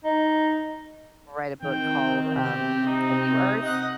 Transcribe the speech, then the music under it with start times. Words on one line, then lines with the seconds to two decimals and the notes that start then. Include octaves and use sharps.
write a book called, um, A New Earth,
0.04 D#4
1.63 D#3 C4 G5
2.36 C3 G4
2.87 D#4
3.62 D#5 F#5